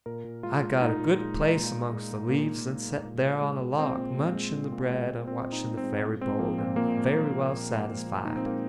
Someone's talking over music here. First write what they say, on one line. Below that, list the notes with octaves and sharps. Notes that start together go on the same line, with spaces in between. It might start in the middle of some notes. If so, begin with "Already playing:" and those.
I got a good place amongst the leaves, and set there on a log, munching the bread and watching the ferry-boat, and very well satisfied.
A#2 A#4
A#2
G#3 F4
G#3
A#2 D#4
A#2
G#3
G#3
A#2
A#2
G#3
G#3
A#2 A#3
A#2
G#3
G#3
A#2
A#2
G#3
G#3
A#2 C4
A#2
G#3
G#3
A#2
A#2
G#3
G#3
A#2 C4
A#2
D#4
G#3
C4
G#3
A#2
G#3 C4
F3 A#3
A#2 C4
A#2 A#3
G#3
F3
A#2
A#2
G#3
F3
A#2
A#2 D#4
C4
G#3 A#3